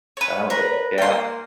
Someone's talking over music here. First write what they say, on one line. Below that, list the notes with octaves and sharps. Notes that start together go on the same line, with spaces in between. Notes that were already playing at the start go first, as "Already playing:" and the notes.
That'll do it. Yeah.
B4 C#5
A#4 B4
A#3 G5 C6